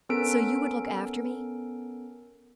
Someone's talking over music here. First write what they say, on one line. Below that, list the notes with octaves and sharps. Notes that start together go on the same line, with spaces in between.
"So you would look after me?"
B3 C#4 A4 A#4 D7